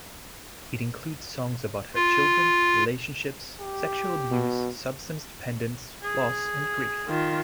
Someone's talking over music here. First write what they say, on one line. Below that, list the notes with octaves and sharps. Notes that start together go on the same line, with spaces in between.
It includes songs about her children, relationships, sexual abuse, substance dependence, loss and grief.
F4
G4
B2
G#4
D#3 F4